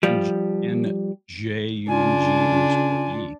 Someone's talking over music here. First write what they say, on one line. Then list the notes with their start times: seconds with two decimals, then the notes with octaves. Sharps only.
N j N-J-U-N-G_E.
0.03 F3 G3
1.88 C#3 D4 F4 G#5